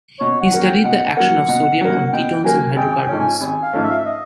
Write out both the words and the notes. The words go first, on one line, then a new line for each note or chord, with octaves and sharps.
He studied the action of sodium on ketones and hydrocarbons.
B2 C#5
F#5
F#3 A#3
G5
B2 F#5
F#3 A#3 F#5
B2
F#3 A#3
B2 G5
F#3 A#3 G#5
G#1 G5
G#5
G5
G#2 F3 A3 C#4
G#5
G#1 G#5
F5
G#2 F3 A3 C#4
E5
F5
E5
D#5